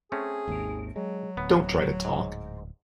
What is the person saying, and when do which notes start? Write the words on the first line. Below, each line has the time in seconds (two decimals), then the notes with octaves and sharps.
Don’t try to talk!
0.12 A3 C4 C#4 G#4
0.48 G#1 D#2
0.96 F#3 G#3
1.37 D1 B3
2.05 G#2